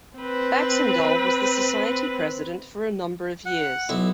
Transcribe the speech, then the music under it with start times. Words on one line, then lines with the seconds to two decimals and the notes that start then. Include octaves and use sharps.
Baxandall was the Society president for a number of years.
0.17 C4 B4
3.46 F#5
3.89 B1 E4